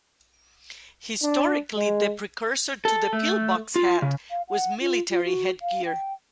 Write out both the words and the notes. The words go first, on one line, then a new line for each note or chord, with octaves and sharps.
Historically, the precursor to the pillbox hat was military headgear.
D4
G#3
A4
A3
F4
C#3
F5
F#5
F4
F4
F#4
F5
G5